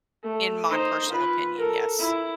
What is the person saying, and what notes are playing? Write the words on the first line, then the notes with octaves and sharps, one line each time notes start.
in my personal opinion, yes.
A3
D#4 C5
F4 B4
A4 A#4
E4